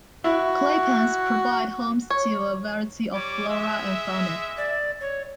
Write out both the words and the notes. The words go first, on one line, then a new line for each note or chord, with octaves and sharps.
Claypans provide homes to a variety of flora and fauna.
E4 F#4
C#5
G3 C#5 D6
G#3 E5
D5
C#5